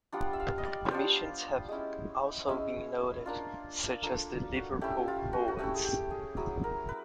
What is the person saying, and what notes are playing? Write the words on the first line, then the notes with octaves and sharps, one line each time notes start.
Omissions have also been noted, such as the Liverpool poets.
G3 B3 D4 F4 F#5
E5
F5
D#5
D5
C#5
G3 B3 D4 F4 C5
G#3 C#4 E4
G#3 C#4 E4
A#3 D4 F4
A#3 D4 F4 A4
F#4
A3 C#4 E4 G4
F4
F#4
F#4
A3 C#4 E4 G4
G#4
G4
G#4
F#3 B3 E4 G#4
A#4
B4